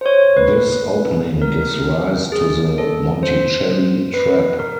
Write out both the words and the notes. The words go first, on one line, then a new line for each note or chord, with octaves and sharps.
This opening gives rise to the Monticelli Trap.
C5
C#5
B4
A#4
G#4
A4
C5
B4
A#4